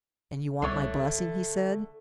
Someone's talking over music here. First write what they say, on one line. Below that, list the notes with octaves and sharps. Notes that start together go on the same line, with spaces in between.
"And you want my blessing?" he said.
C2 D3 A3 C#5